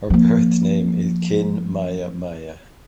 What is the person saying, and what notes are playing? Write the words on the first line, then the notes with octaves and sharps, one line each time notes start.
Her birth name is Khin Mya Mya.
F3 A#3